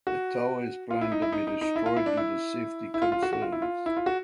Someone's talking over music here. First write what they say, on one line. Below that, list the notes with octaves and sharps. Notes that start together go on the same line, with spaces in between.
The tower is planned to be destroyed due to safety concerns.
F#4
F4
E4
D#4
E4
D#4
D#4
D#4
E4
F4
E4
D4
E4
E4
F4
F4
F#4
F#4
F4
E4
F4
E4
F4
F#4